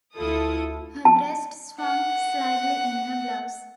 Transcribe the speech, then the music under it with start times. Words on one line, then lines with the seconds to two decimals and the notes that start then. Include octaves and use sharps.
Her breasts swung slightly in her blouse.
0.16 D2 E4 F4 A4 D#6
1.05 A5
1.80 F#5